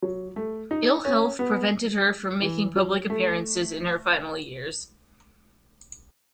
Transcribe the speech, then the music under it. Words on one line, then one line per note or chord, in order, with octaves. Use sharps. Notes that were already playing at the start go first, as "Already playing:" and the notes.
Ill health prevented her from making public appearances in her final years.
F#3
A3
D#4
C#4
B3
E3
F#3
A3